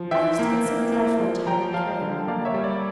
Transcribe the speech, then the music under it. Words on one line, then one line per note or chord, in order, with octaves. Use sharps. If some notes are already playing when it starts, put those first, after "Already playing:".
I used to get so dreadfully tired carrying them about.
Already playing: F3
E3 E5 G5
A#3
A#3
A#3
F3
F3 G5 A#5
F3 F5 A5
D3
A#3 D5 F5
C#5 E5
G3
D5